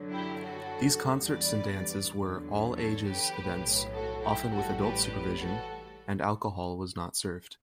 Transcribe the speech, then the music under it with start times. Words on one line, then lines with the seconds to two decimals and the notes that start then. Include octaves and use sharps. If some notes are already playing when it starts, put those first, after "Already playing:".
These concerts and dances were 'all-ages' events-often with adult supervision-and alcohol was not served.
Already playing: F#2 D3 F#3
0.11 E4 G4
0.41 F#4 A4
1.00 E2 D3 G3
1.28 B4 D5
2.17 E2 D3 F#3
2.76 A4 C#5
3.05 G4 B4
3.35 B1 A2 F#3
3.93 F#4 A4
4.22 E4 G4
4.52 A1 A2 G3 F#4 A4
4.81 G4 B4
5.41 F#4 A4